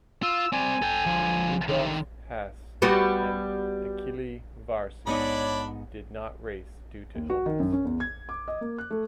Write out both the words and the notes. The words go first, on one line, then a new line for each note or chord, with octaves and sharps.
Rudolf Hasse and Achille Varzi did not race due to illness.
F4 E6
C4 D5 G#5
A4 G5
D3 F3
D3 D#3
G3 B3 F#4
G#2 B3 D4 D#4 C#5 D5 B5
D#2
F#4
D#3
F#2
C#4
E2
G#6
D6
D#5
A#3
F#6
A3